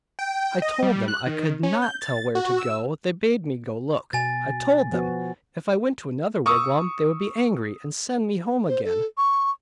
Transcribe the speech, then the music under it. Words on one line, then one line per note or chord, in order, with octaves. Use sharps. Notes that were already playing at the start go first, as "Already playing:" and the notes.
I told them, I could not tell where to go, they bade me go look; I told them, if I went to another wigwam they would be angry, and send me home again.
G5
D#5
G3
F#6
D#3
C#4
G6
A6
F#4
E6
B2 G#5 A6
F3 B3 F#4
C#6 D#6 E6
C5
A4
C#6